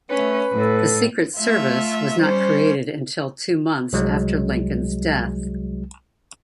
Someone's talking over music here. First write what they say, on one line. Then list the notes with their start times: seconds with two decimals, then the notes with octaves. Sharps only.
The Secret Service was not created until two months after Lincoln's death.
0.11 A3 C#4 B4
0.52 A2 A4
1.39 A3 F4 E5
2.19 G3 C#4 C5
3.93 C2 F#3 G#3